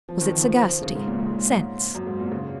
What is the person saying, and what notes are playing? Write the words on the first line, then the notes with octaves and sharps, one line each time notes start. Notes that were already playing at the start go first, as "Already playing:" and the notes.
Was it sagacity?--sense?
F3
D#3
F3
F3
C#3
G#2
A#2
G#2
F#2
G#2
A#2
C#3